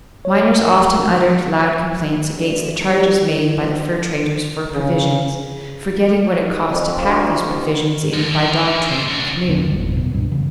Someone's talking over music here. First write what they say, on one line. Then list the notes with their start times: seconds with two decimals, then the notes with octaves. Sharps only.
Miners often uttered loud complaints against the charges made by the fur-traders for provisions, forgetting what it cost to pack these provisions in by dog-train and canoe.
0.25 C#5
0.64 A#4
2.38 D2
2.88 G3
3.30 E3
3.60 D2
4.74 C#3
6.33 D#3
6.70 F2
7.04 D2
7.44 A1
8.13 F#2 D3
8.30 D3
8.59 D3 D#3
8.88 B2 C5
9.09 D4 F#4
9.48 D#1 D3 A#3 C4
9.66 F#1 G3
9.78 F#1 E2 A#2 E3
9.96 F#2 B2
10.11 C2 G2
10.32 C#3 E3